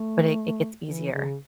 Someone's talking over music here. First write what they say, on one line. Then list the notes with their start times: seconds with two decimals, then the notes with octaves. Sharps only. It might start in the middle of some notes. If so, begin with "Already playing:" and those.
but it it gets easier.
Already playing: A3
0.85 E3
1.12 C#3